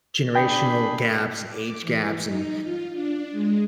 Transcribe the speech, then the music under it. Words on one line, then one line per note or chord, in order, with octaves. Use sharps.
generational gaps, and age gaps, and,
D4 G#4 G5 B5
D6
E3
D#4
F4
D4
G#3